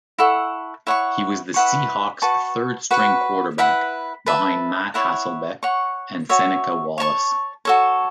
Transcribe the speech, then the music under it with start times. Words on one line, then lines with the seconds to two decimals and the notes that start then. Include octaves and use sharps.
He was the Seahawks' third-string quarterback behind Matt Hasselbeck and Seneca Wallace.
0.19 E4 A4 F#5 C#6
0.87 E4 C#5 F#5 C#6
1.54 E4 B4 F#5 C#6
2.22 F#4 B4 A5 C#6
2.91 F#4 B4 F#5
3.58 E4 B4 F#5 B5
4.26 B4 E5 A5
4.94 E4 C#5 F#5
5.63 C#5 F#5 C#6
6.29 F#4 C#5 E5
6.98 C#5 A5 C#6
7.65 F#4 A4 C#5